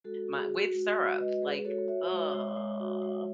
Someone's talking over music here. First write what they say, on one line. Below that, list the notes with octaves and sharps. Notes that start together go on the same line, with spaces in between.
My with syrup, like, ugh.
G#3 F#4 A4
F#4
G#4
F#4
F#4
G#3
F#4
G#3 B4 D#5
G#3 G#4 B4
F#4 A4 C#5
F#4 C#5 E5
G#3
G#3
G#3
F#4
G#3